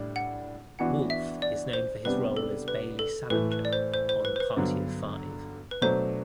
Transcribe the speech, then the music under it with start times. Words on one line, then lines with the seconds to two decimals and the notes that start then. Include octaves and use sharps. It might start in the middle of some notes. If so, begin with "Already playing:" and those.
Wolf is known for his role as Bailey Salinger on "Party of Five".
Already playing: A2 G3 D4
0.16 F#5
0.79 E3 B3 D4 F#4 F#5
1.10 E5
1.42 D5
1.73 C5
2.05 C3 G3 B3 D4 G4 B4
2.37 A4
2.68 B4
2.99 A4
3.30 A2 E3 A3 B4
3.52 B4
3.65 D5
3.73 C5
3.94 C5
4.09 C5
4.25 B4
4.36 C5
4.40 B4
4.56 G2 D3 F#3 B3
5.71 B4
5.82 B2 F#3 A3 D4 C5